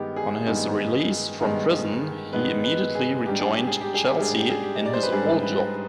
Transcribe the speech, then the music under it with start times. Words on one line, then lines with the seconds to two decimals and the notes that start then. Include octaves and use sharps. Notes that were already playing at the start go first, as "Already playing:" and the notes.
On his release from prison, he immediately rejoined Chelsea in his old job.
Already playing: G2 D#3 G#3 B3 D#4 G4
0.16 G#4
0.47 G2 D#3 G#3 B3 D#4
1.40 G2 D#3 G#3 B3 D#4
2.33 G2 D#3 G#3 B3 D#4 B4
2.64 B4
2.95 G#4
3.26 G#2 G3 D4 G4
3.40 G#4
3.54 G4
3.67 G#4
3.81 G4
3.94 G#4
4.09 G4
4.19 G#2 G3 D4 G#4
4.35 G4
4.50 G#4
4.62 G4
4.75 D#5
4.85 D5
4.93 C5
5.03 B4
5.12 G#2 G3 D4 G#4
5.42 B4